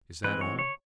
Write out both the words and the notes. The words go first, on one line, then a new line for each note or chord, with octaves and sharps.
"Is that all?"
E3 G#3 C4 B4
C#5
C#5